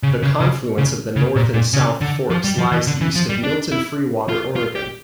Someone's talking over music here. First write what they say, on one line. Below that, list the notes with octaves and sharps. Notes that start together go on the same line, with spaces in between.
The confluence of the North and South Forks lies east of Milton-Freewater, Oregon.
C#3
C#3
C#3
C#3
C#3
A#2
A#2
C#3
D3
F3
G3
F3
E3
D3
E3
F3
G3
D4
E4
F4
F4
G4